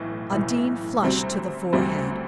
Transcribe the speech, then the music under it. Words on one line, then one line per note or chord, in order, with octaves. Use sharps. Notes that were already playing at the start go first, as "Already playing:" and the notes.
Undine flushed to the forehead.
Already playing: B1 A2 E3
B1 A2 E3
D2 C3 G3 C4 F#4
D2 C3 G3 C4 F#4